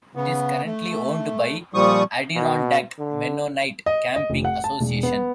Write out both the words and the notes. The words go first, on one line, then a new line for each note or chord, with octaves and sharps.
It is currently owned by Adirondack Mennonite Camping Association.
C#3 B3
A3
A#2 F3 G3 C#6 D#6
B2
D3
D#5
D#5
F1
F#5
A5
E1
B3